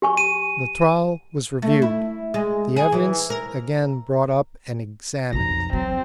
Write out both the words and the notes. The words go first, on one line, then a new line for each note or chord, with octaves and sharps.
The trial was reviewed; the evidence again brought up and examined.
G4 G#5 C#6
D#7
A3
E4
G#3
G#4
E3
A#4
B1 F2 A#5
F#3 C4